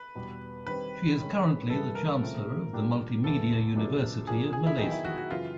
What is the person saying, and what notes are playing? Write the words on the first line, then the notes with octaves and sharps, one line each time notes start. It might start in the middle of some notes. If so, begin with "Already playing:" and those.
She is currently the chancellor of the Multimedia University of Malaysia.
Already playing: B4
E2 B2 G3
D#3 G3 C4 B4
D#3 G#3 C#4
G2 E3 G3 A4
A#4
C#3 F3 A3 C4
A#2 G3 A#3 D4 G4
E2 C#3 E3 A4
F#2 C#3 F3 A#3 D4
A#2 F3 A#3 D4 G#4
G#4
E4
D#3 F#3 B3 D#4
E4
F#4
F#4
F#2 C#3 E3 F4